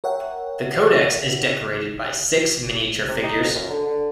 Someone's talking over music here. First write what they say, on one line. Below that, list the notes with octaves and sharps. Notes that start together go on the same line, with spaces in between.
The codex is decorated by six miniature figures.
A#4 C#5 E5 F#5 G5
C3
D#4
F2
F#2
D3
D3